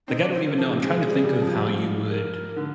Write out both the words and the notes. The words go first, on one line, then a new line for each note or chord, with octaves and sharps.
Like, I don't even know. I'm trying to think of how you would
C4 D#4
D4
C5
A#4
F3 A#4
G#4
G4
G#3 G#4
G3
G3
F3
G3
F3
A#4
D3